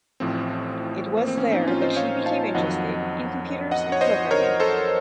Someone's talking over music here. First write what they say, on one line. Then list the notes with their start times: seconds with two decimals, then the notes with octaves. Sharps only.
It was there that she became interested in computers and programming.
0.20 A1 A2 F3 C4
1.17 A#3
1.27 C4
1.37 A#3 C#4
1.52 C4 D#4
1.67 C#4 F4
1.82 C5 D#5
1.96 C#5 F5
2.26 F5 A5
2.55 F2 D#3 F#3 D#5 F#5
3.71 D#5 F#5
3.92 C#5
4.01 C5 D#5
4.31 A#4 C#5
4.60 A4 C5